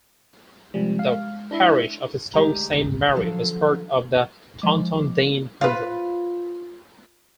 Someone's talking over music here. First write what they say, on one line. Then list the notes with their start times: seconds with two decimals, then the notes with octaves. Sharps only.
The parish of Stoke Saint Mary was part of the Taunton Deane Hundred.
0.74 C3 F3 G3 G#3
0.99 F5
1.51 D4 E4 E5
2.34 D2 G#3 G4 A#5
3.15 D3 F3 F#3 A4 F5
4.62 F3 G#3 D6
5.61 F4 B4